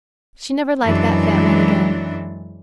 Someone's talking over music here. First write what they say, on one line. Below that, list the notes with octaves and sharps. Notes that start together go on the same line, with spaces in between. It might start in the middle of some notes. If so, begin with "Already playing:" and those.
She never liked that fat man again.
F#2 E3 F#3 G#3 D4